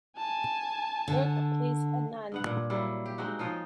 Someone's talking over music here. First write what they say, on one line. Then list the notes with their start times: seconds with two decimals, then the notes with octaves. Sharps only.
Burke plays a nun.
0.17 G#5 A5
1.08 D3
2.32 G2 B3 F#5
2.46 A#2
2.70 F#3 G3 A#3 E4
3.06 G4
3.18 G#3 C4 D#4 F#4
3.39 F3 D#4 F4 C#5